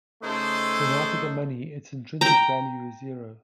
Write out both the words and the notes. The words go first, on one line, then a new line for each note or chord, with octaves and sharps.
When out-of-the-money, its intrinsic value is "zero".
C#3 A3 D#4 G#4 A4 C5
G5 A#5